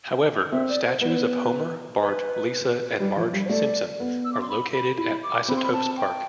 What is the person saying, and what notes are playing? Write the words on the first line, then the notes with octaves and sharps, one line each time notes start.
However, statues of Homer, Bart, Lisa, and Marge Simpson are located at Isotopes Park.
C4 E5
D5
C5
B3 B4
C5
B4
B4
G3
F3
G3
C5
A3 D5
B3
E6
D6
C6
B5
B5
E4 B5
D6
C4 B5
C6
B5
A5
G5